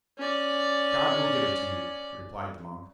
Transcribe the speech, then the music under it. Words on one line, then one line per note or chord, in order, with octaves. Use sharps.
"God will give it to you," replied the monk.
C#4 D5